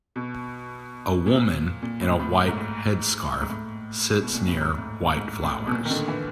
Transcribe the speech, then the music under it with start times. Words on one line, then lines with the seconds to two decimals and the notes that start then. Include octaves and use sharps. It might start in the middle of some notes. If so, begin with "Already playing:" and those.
A woman in a white headscarf sits near white flowers.
0.16 B2
1.26 A#2
1.82 A#2
2.01 A2
2.20 A2
2.39 A2
2.48 G#2
2.56 A2
3.41 G#2
3.50 A2
4.21 B2
4.34 A#2
4.47 A2
4.61 G#2
4.78 A2
5.16 G#2
5.44 A2
5.67 B2
5.72 A#2
5.85 D#3
5.91 D3
6.08 E3